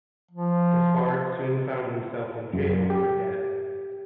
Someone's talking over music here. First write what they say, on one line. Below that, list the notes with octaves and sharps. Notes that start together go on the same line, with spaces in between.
Despard soon found himself in jail for debt.
F3
F#2
G4